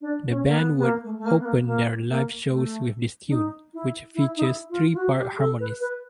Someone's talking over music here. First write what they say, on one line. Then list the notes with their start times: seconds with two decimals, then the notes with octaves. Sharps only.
The band would open their live shows with this tune, which features three-part harmonies.
0.01 D4
0.29 C#4
0.46 A#3
0.56 B3
0.77 B3
0.83 A#3
1.04 A3
1.18 A3
1.26 A#3
1.39 B3
1.45 A#3
1.61 B3
1.67 A#3
2.08 A#3
2.49 A3
3.28 D4
3.32 D#4
3.74 E4
4.15 E4
4.37 D#4
4.42 E4
4.70 F4
4.93 F4
4.97 F#4
5.17 G4
5.38 A4
5.60 B4
5.81 B4